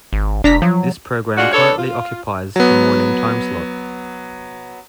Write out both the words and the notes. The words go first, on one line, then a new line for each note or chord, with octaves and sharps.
This program currently occupies the morning timeslot.
G#1
F1 D4 A#5 B6
F3 F#3
G#3 D4 F4 F#4
D4 A4 B4 C#5
F4
F#3 B3